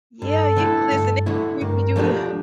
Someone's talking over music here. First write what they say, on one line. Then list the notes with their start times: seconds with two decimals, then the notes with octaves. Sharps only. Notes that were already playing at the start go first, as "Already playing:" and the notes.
Yeah, you listen, it ain't for you to
0.22 G2 A4
0.56 D3 A3 E4
0.91 G2
1.26 D3 A3 E4
1.61 G2 A#4
1.96 F3 A3 D4 G4